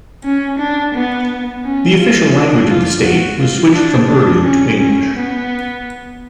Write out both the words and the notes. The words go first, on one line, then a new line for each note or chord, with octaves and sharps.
The official language of the state was switched from Urdu to English.
C#4
D4
B3
C#4
F4
D4
F4
F#4
F4
D4
D4
C#4
C#4
B3